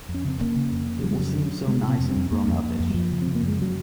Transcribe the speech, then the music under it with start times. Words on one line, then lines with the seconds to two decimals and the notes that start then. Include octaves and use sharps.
It will seem so nice and grown-uppish.
0.09 F2
0.14 C#4
0.25 C#3 C4
0.40 C#3 A#3
0.57 C#3
0.72 F2
0.87 C#3
1.04 F2 F#3
1.11 G#3
1.18 C#3 F#3
1.36 C#3
1.52 C#3
1.67 C3 G#3
1.83 C3 C4
1.99 F2
2.10 C4
2.16 F2
2.31 F2 A#3
2.48 F2
2.64 F2
2.80 F2
2.90 F#3
2.94 F#2 F3
3.11 C#3
3.22 C#3 C4
3.35 A#3
3.43 F#2
3.48 G#3
3.59 C#3 F#3